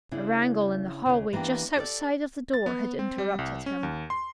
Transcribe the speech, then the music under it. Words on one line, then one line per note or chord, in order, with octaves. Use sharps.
A wrangle in the hallway just outside of the door had interrupted him.
C#3 D4 E4
D#2 C#3
E3 A#3 B3 D4 G4
G4 A4 C#5 D5
A6
B3
C4
G3
C2
C#4
D#2
C6